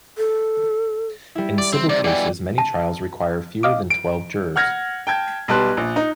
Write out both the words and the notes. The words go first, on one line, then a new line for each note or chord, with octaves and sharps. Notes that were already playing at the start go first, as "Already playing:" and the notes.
In civil cases many trials require fewer than twelve jurors.
A4
G3 E4
D5
C4
C3 D5
B2 E3 D5 G5
A5
D#5 F5 D6
D7
F#5 F6 G#6 A#6
G5 A5 G#6
B1 G3 B4 A5 C6 F#6
A#1
D#4